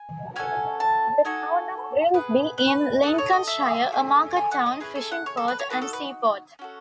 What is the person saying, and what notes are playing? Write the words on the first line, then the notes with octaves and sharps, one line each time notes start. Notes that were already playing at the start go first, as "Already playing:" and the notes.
The town of Grimsby in Lincolnshire, a market town, fishing port and seaport.
Already playing: G#5
C#4 F#4 A4 G#5
A5
D#4 F#4 A4 G#5
B3 E4 G#4 B4
B4
D#4 A4 B4
C#5
D#5
E5
A3 C#4 G#4
G#5
F#5
D#5
C#4 E4 G#4 B4
A4
F#5
C#5
A4
B4
C#5
D#4 F#4 A4 B4
A4
B4
C#4 F#4 A4